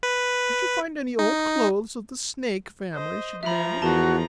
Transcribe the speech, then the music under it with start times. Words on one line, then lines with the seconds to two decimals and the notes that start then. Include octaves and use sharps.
"Did you find any old clothes of the Snake family?" she demanded.
0.03 B4
1.19 D#4
2.93 C5 D#5
3.43 F3 E5 A#5 B5
3.82 E2 F#4 A#4 A5